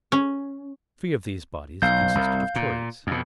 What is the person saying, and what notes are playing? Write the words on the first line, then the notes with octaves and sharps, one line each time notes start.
Three of these bodies consisted of Tories.
C#4
B1 F5 G6
C2
A#2
F2 B2